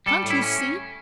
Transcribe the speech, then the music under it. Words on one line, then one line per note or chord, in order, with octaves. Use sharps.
"Can't you see?"
G3 A4
A2
E4
C#4